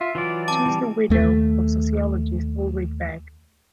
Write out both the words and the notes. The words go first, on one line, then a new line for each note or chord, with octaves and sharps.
She is the widow of sociologist Ulrich Beck.
F4 E5
E3 F#3 F4 D5
C4 A5 D6
E3 G3
D#2 A3